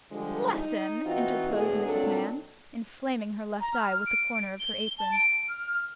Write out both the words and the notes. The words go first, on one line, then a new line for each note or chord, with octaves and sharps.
'Bless him!' interposed Mrs. Mann, inflaming her left eye with the corner of her apron.
D3 F3 G3 G#3 D4
D#4
E3 C4 D#4 F4 F#4
A2 D3 B3 G#4
A#2 F#3 C4 D4 D#4 A4
A#5
F6
D7
G7
A5
D7
F6